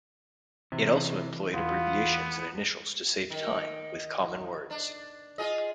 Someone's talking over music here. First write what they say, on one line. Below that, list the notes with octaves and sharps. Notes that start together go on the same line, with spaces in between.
It also employed abbreviations and initials to save time with common words.
C3 E3
E2 B3 F4
D#3
D4
F4 G#4 D#5